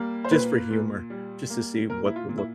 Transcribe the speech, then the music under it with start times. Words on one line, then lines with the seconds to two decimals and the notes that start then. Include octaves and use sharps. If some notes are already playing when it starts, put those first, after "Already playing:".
just for humor, just to see what the look
Already playing: G3 A#3
0.24 C5
0.30 A#2 B4
0.70 A#2
1.10 G3
1.50 A#3
1.90 A#2 A#4
2.06 E4
2.16 F4
2.29 A#2
2.38 E4